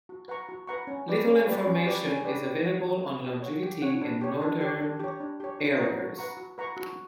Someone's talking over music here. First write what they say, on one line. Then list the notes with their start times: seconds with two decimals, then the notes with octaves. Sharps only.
Little information is available on longevity in northern harriers.
0.09 F#4
0.28 B4 F#5 A#5 C#6
0.49 F#4
0.67 B4 F#5 A#5 C#6
0.87 C#4
1.08 G4 B4 D5
1.26 C#4
1.46 G4 B4 D5
1.67 C#4
1.85 G4 B4 D5
2.05 C#4
2.25 G4 B4 D5
2.44 G4
2.64 C#5 F#5
2.84 G4
3.03 C#5 F#5
3.24 G4
3.43 C#5 F#5
3.63 G4
3.82 C#5 F#5
4.01 D4
4.21 G4 C#5
4.41 D4
4.61 G4 C#5
4.81 D4
5.00 G4 C#5
5.20 D4
5.40 G4 C#5
5.59 F#4
5.79 B4 F#5 A#5 C#6
5.98 F#4
6.18 B4 F#5 A#5 C#6
6.37 F#4
6.58 B4 F#5 A#5 C#6
6.77 F#4